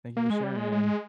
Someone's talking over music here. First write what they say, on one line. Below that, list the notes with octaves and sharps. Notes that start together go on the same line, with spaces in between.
Thank you for sharing, and
A#3
G#3
G3
G#3
G#3